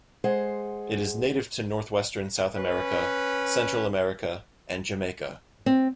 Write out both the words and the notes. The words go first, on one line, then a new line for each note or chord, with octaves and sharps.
It is native to northwestern South America, Central America, and Jamaica.
G#3 G#4 C5 F#5
C#4 B4
C4